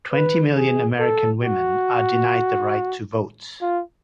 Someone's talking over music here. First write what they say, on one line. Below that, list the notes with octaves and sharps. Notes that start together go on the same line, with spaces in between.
Twenty million American Women are denied the right to vote.
B4
G#4
A4
F#4
F4